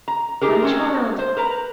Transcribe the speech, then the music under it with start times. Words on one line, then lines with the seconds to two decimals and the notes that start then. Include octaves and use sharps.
My child!
0.08 A#5
0.41 D#4 G4 G#4 A#4
0.62 C4 C#4 F#4
1.19 C5
1.37 A#4 B4 A#5